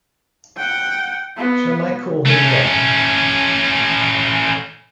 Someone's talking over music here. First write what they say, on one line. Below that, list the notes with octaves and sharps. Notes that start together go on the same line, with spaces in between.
Shall I call him down?
F#5 G5
B3
A3 C#4